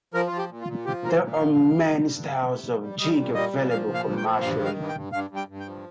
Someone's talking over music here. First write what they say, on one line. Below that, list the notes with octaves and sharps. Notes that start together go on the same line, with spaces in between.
There are many styles of jig available commercially.
F3 A#4
F3 F4
G4
A#2
F4
A#2
F3 G4
A#2 A#4
C5
A#2
F5
F3
G2
G2
G3
G2
C3
C3
G3
G3
G3 D#5
A#2
G3 D#5
A#2
F3 F5
A#2
F5
A#2
G5
F3
G2 F5
D#3
F5
G2
G5
G2
G2 F5
G2
G5
G2
G5
F3